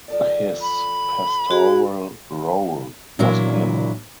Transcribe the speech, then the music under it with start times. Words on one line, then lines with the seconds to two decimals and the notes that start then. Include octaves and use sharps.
His pastoral role was minimal.
0.08 F3 A4 D5
0.62 B5
1.51 F#4 G#4
3.19 A#2 E3 F#3 D4 E4